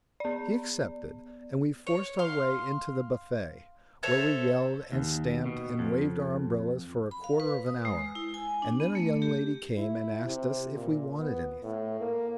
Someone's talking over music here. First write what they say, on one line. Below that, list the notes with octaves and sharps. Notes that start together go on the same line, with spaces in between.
He accepted, and we forced our way into the buffet, where we yelled, and stamped, and waved our umbrellas for a quarter of an hour; and then a young lady came, and asked us if we wanted anything.
B3 D5
C#5
F5 C6
A4 C5 C#5 E5
D#2
B2
F2
B5
F5
B4
D#6
G#3
E4
G#5
D4
B3
A3
G4
E4
C3
A#2
B3
A2
A#3